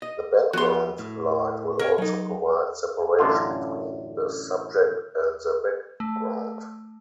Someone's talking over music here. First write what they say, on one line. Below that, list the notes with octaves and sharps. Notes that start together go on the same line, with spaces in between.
The background light will also provide separation between the subject and the background.
D#5
F3 B3 F#4 G4 C6
A2
C3 A#4 C#5
F#3 D#4
A1 F#2 D3 F4
A3